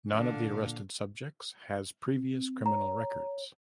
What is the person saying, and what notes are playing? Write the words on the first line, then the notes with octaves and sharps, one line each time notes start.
None of the arrested subjects has previous criminal records.
A#2 D3 F5
C4
C#5 A#5